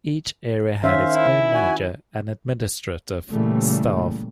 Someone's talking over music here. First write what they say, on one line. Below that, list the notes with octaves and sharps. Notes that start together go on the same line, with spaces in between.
Each area had its own manager and administrative staff.
D#3 C#4 C5 E5 F5
E4
F#4 G#5
A#2 C#3 E3 G3 A3 A#3